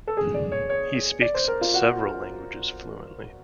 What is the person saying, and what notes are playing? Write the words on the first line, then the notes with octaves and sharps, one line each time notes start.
He speaks several languages fluently.
A4
G#4
D5
C#5
C#5
D5
C5
A#4
F4
F#4